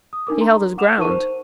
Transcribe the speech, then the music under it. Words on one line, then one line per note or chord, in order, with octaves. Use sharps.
He held his ground.
D#6
D4 D#4 A#4 D6
A#5 C6
F#5 D6 E7 F7
D#4 A#4 A5 C#6 D#7
C5